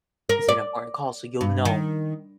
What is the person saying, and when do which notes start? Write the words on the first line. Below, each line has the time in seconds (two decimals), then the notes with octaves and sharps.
It's an important call so you'll know
0.29 A#4
0.49 D5
1.41 G2
1.65 D#3